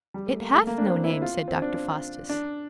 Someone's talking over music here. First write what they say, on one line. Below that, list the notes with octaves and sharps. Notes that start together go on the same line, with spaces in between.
"It hath no name," said Dr. Faustus.
G3
A3
A#3
A3
A#3
D4
C4
E4
F4
C4
D4
D4